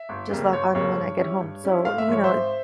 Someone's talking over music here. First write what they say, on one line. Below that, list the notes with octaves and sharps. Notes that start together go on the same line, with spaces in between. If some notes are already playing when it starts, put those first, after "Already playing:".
Just log on when I get home, so, you know
Already playing: E5
G1
F2 C#3 G3 A#3
G1 C#5
F2 C#3 G3 A#3 C#5
G2
G3 C#4 E4
G2
G3 C#4 E4
G#1 F5
E5
G#2 F3 C#5
C5 E5
G#1